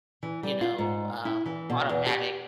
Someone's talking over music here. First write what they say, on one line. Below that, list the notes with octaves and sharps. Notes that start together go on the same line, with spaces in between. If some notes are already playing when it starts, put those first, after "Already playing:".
you know, um, automatic
E3
G3
F4
G#2
E4
E3
B2
E2
G4